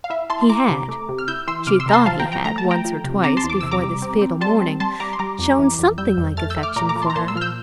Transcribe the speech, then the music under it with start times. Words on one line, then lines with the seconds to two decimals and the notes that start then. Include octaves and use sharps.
He had--she thought he had, once or twice before this fatal morning, shown something like affection for her.
0.04 F5
0.10 E4 E5
0.30 E4 A5 C6
0.41 C6
0.49 E4 A#5 D6
0.69 C3
0.88 A3
1.09 C3
1.18 F6
1.28 E4 E6 G6
1.47 E3 C6 E6
1.67 C3 D6 F6
1.80 C6 E6
1.86 C3 A#5
1.93 A5 C6
2.06 F3 F5 A5
2.20 G5 A#5
2.26 F3
2.32 G5 A#5
2.45 A3 A#5
2.58 A5
2.65 A3
2.71 G5 A#5
2.85 F3
3.04 C3
3.23 C4 A#5 D6
3.37 A5 C6
3.44 E2
3.50 D6
3.61 C3 E6
3.71 A#5 D6
3.83 G3
4.02 C4
4.22 C4
4.41 G3 A5 C6
4.61 C4
4.80 G3 A5 C6
5.00 G3 A#5 D6
5.13 C6
5.19 G3 A#5 D6
5.39 F2
5.59 E3
5.79 F2
5.98 G3 E6 G6
6.17 F2
6.37 A3 F6 A6
6.50 E6 G6
6.56 A3
6.63 D6 F6
6.76 A#2 A#5 D6
6.89 A#5 D6
6.96 F3
7.02 A5 C6
7.10 A#5
7.16 A#2 A5 C6
7.28 C6 E6
7.36 F3 F6
7.41 E6 G6